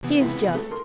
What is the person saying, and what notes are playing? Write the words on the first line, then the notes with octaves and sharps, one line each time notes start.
He is just.
C3 E3 B3
C#2 E4 B5
A3 A4
A#4 C6